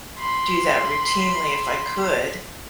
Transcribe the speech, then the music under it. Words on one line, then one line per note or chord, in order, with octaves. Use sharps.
do that routinely if I could,
B5 C6